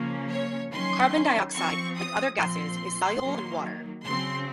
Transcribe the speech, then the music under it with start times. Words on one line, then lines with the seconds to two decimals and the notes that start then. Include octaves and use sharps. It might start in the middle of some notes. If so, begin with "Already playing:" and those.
Carbon dioxide, like other gases, is soluble in water.
Already playing: C#3 F3 A#3 C#4
0.29 C#5
0.71 D#3 F#3 C#4 C6
1.54 F3 C4 C#6
1.96 D#6
2.38 A#2 F3 C4 C6
3.21 D#3 F#3 A#3
4.04 C#3 F#3 C4 C6